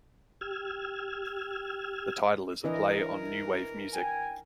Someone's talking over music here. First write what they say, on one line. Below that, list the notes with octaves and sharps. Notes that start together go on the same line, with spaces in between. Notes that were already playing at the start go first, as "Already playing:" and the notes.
The title is a play on new wave music.
G4 E6 F6 G#6
E3 D4 E4 A#4 D#5
G5 G#5